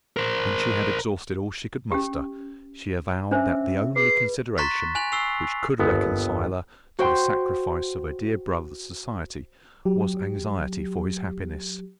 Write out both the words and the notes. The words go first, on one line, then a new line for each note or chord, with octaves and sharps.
When she had exhausted all she could muster, she avowed that the only consideration which could reconcile her to the sacrifice of her dear brother's society was anxiety for his happiness.
A#4 C5
C#4 G4
C#4 D4 C5 E5
G#4 B4 C7
A#5 C6 C#6 F#6 A6 B6
G#5 F#6 F7 F#7
C#6 E6 C7 F7
G1 D#2 B3
F#4 C5 G5 C6
F#3 G4